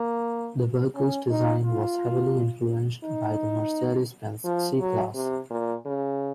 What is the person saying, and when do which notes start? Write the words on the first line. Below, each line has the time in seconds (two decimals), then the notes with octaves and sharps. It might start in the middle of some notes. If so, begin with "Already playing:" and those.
The vehicle's design was heavily influenced by the Mercedes-Benz C-Class.
Already playing: A#3
0.95 C#4
1.30 D#4
1.65 F4
3.04 D#4
4.45 F3
4.79 F#3
5.14 C3
5.50 A#2
5.85 C#3